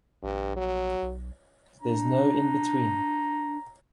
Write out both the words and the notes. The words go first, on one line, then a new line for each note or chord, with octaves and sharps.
There's no in between.
A#1 G2
F#3
B1
D4 A#5